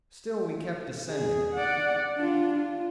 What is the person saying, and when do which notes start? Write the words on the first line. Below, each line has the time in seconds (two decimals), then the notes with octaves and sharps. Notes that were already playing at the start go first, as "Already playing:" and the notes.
Still we kept descending.
1.08 G#4
1.54 D5 F#5
2.17 D4 F4
2.53 F4